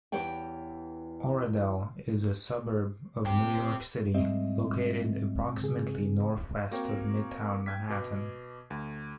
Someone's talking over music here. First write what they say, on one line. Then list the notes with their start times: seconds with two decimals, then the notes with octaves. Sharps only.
Oradell is a suburb of New York City, located approximately northwest of Midtown Manhattan.
0.12 E2 E3 G4 C#5 F#5 G5
3.26 C4 G4
4.14 G#2 G3 C4 D#5 E5
5.61 C#3 G#4
6.71 A#3 C4 F#4 A#4 C#5 G5
7.66 G5 G#6 B6
7.90 B2 D6
8.70 D2